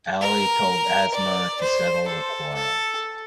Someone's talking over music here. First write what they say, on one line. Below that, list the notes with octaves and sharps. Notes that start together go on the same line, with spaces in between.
Ali told Asma to settle the quarrel.
A#4
D5
C5
A4
A4